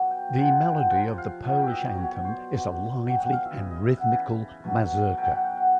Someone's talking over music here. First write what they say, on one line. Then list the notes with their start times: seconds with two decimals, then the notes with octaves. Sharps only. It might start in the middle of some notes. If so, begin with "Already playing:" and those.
The melody of the Polish anthem is a lively and rhythmical mazurka.
Already playing: B2 F#3
0.11 G5
0.38 C3 F3 F#5
0.51 F#5
0.65 G5
0.78 F#5
0.91 C3 F3 F#5
1.18 F5
1.44 B2 F#3 F#5
1.58 G5
1.66 D#5 E5
1.85 D5
1.98 B2 F#3 C#5
2.11 C#5
2.24 C5
2.37 D5
2.51 B2 F#3
3.04 B2 F#3 G5
3.20 F#5
3.33 F5
3.45 E5
3.57 C#3 E3 D#5
3.71 D#5
3.84 E5
3.97 F#5
4.11 C#3 E3
4.64 B2 F#3
5.17 B2 F#3 G5
5.31 F#5
5.44 G5
5.57 F#5